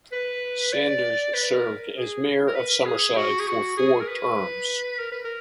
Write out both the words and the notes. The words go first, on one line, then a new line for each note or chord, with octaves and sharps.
Saunders served as mayor of Summerside for four terms.
B4
D5
B4
A#4
G#4
A#4
B4
G#4
F#4
G#4
F#4
G#4
A#4
B4
A#4
B4
A#4